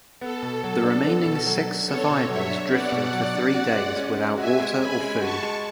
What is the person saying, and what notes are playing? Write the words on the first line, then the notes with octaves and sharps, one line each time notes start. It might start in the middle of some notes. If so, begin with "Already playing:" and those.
The remaining six survivors drifted for three days without water or food.
B3 A4
B2
F#3
D4
B3
B2
F#3
D4
B3 A4 C#5
B2
F#3 C#5 E5
D4
B3 D5 F#5
B2
F#3
D4
F#4
G#3
C#4
G#3
F#4 E5 G#5
G#3
C#4 G#5 B5
G#3
F#4 A5 C#6
G#3